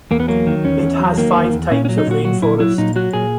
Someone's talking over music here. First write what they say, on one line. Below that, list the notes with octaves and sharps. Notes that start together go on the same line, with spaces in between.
It has five types of rainforest.
E2 A#3
B3
F#3 A#3
D#3
E2 C#4
E2
F#3
D#3 A#3
E2
E2
A#2 C#4
C#4
F#3
D#4
A#2 F#4
F#3 F#4
A#2 E4
F#3 E4
A#2 D#4
F#3 F#4
A#2 G#4